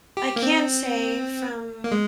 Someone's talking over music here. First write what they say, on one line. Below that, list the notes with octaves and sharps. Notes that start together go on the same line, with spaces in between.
I can say from
G4
A#3
C4
A#3
G#3